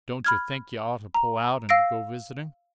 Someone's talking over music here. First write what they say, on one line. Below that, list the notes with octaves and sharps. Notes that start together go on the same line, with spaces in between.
"Don't yuh think yuh ought to pull out and go visiting?"
B5 F6 G#6
A#5
F5 E6 A#6 C7 D7